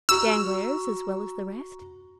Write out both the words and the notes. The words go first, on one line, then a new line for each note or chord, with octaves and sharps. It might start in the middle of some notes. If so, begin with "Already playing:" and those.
"Danglars, as well as the rest?"
F#4 A#5 C#6 E6